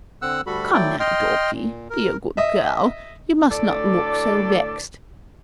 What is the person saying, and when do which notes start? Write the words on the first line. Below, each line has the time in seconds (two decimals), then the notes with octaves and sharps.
Come now, Dorkie, be a good girl--you must not look so vexed.'
0.22 D3 C4 F#5 E6 F#6
0.46 D2 G3 F#4 A4 B5
0.73 F#3 A3 E4 D5 G5
1.00 D#5 G5 C6 F6
1.54 A#2
1.90 A#4
2.37 D#5 E5
3.50 D2 A2 A4 D5